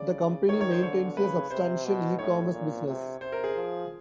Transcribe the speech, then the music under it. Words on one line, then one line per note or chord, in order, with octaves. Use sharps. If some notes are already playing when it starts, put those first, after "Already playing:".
The company maintains a substantial eCommerce business.
Already playing: C#3 D5
D#3 C#5
C#5
C5
D3 C#5
C#3 B4
C3 C5
B2
A2 C#5
A#2
C3
C3 C5
A#4
G#4
F3